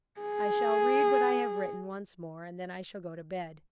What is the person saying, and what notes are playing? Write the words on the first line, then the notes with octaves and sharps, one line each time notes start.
I shall read what I have written once more, and then I shall go to bed.
G#4